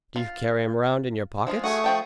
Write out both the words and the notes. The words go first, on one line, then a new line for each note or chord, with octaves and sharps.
"Do you carry 'em round in your pockets?"
F4
F3 G#3 F4
A3 F#4 G#4 C#6 D#6
F3 G5 A5